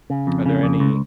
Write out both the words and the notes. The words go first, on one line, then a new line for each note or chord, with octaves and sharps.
Are there any
C#3
F2
C#3
F2
C#2